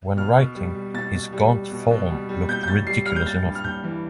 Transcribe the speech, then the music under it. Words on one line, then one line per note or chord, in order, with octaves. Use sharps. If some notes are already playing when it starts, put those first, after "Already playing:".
When writing, his gaunt form looked ridiculous enough.
B2 F6
B2
G3
G3
B2 A6
B2
G3
G3
B2
B2
G3
G3
B2 G6
G6
B2 A6
G3 C7
G3 F6
G6
G3 A6
G2
F6
G2 G6
E3